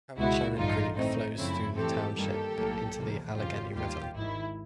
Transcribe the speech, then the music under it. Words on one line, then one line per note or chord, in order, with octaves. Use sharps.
Cowanshannock Creek flows through the township into the Allegheny River.
C#2 B2 G#3 B3 E4 F#4
A1 G2 D3 D#4 F4
A2 E3 A3 C4 D#4
F#2 C#3 F3 A3 C4 E4
A2 E3 A3 C4 G4 A4
G2 D#3 G3 A#3 G4 A4
B1 A2 F#3 A#3
E2 C3 D#3 G3 A#3
F2 C#3 F3 F4 G4
D#2 D#3 G3 A#3 F4 G4
G#1 G#2 D#3 E4